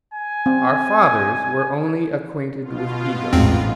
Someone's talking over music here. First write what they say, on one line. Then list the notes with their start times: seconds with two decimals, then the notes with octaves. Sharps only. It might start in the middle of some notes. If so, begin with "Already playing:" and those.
Our fathers were only acquainted with egotism.
0.13 G#5
0.46 C4
2.60 B2 F4
3.33 A1 E2 G#2 C4